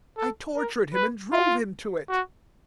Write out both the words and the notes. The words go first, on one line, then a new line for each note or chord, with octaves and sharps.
I tortured him and drove him to it.
A4
A#4
B4
F4
F#4